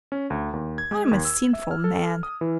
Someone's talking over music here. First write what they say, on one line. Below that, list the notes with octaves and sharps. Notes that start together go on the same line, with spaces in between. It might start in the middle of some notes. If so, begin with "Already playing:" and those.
I am a sinful man.
C#4
D2
D#2
G#6
G#3
D#2
E6
E5
F6
A4
D#6
E3